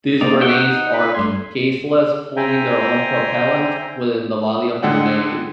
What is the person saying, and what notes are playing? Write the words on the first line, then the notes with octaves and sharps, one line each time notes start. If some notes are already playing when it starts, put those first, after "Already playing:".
These grenades are caseless, holding their own propellant within the body of the grenade.
A#3 D#4 G4 A#4 C5 D5
E5 F#5 G5 C#6 G6
D#4
B4
G2 A3 C6 G#6
C5 E5 G5 G#5 A#5
D3 G#3 A4 F#5 G5